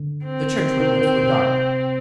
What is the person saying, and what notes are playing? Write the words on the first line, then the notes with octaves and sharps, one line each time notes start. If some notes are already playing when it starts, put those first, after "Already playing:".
The church windows were dark.
Already playing: D3
C4
D#3
D#3
D#3
C3